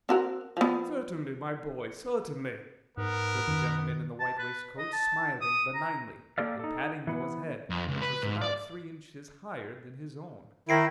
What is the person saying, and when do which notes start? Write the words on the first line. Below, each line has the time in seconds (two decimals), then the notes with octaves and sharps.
'Certainly, my boy; certainly,' said the gentleman in the white waistcoat: smiling benignly, and patting Noah's head, which was about three inches higher than his own.
0.09 C4 F#4 A#4
0.57 F3 B3
2.97 G#2 B3 A#4
3.48 F#2 D#3
4.20 A5
4.38 B4
4.78 D#5
4.93 A5
5.41 D#6
5.74 A#5
6.38 A#3 G4 A4 D5 F5
6.59 D#4 A4
7.07 E3 B3
7.70 F2
7.88 C#2
8.02 B4
8.23 G#2
8.42 D5
10.69 D#3 E4 A#6 C7 D7